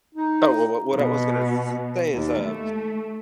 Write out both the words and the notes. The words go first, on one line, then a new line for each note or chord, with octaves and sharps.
Oh, well, what what I was gonna s say is, uh,
D#4
B2
D#2
A3